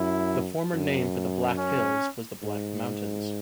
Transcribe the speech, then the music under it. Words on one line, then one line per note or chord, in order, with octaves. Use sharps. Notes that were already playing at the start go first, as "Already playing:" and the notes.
The former name for the Black Hills was the Black Mountains.
Already playing: F#2 E4
F#2
C#4
G#2